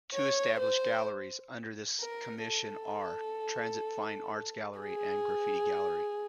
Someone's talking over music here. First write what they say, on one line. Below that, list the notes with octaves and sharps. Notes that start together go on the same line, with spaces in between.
Two established galleries under this commission are: Transit Fine Arts Gallery and Graffiti Gallery.
C#5
C5
A#4
A4
G#4